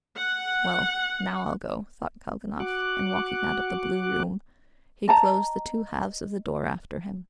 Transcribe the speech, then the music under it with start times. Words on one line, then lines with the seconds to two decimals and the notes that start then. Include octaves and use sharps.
"Well, now I'll go," thought Kalganov, and walking out of the blue room, he closed the two halves of the door after him.
0.18 F#5
2.60 F#4 F#5 D6 F#6
5.08 D#5 A5 A#5